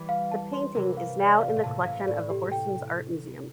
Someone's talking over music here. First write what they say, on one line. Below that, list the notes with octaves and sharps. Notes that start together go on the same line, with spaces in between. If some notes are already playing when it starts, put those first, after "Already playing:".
The painting is now in the collection of the Horsens Art Museum.
Already playing: E3 G3
F5
A5
C6
C3 E3 A#4
F5
D5
F5
A2
A#2
A2 C3 A5
A2 C3 F5
A2 D5
G4
G5